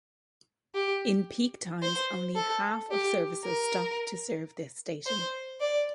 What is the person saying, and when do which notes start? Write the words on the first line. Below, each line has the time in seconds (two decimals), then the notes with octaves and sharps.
In peak times only half of services stop to serve this station.
0.75 G4
1.83 C5
2.36 A4
2.91 G4
3.45 A#4
5.06 C5
5.61 D5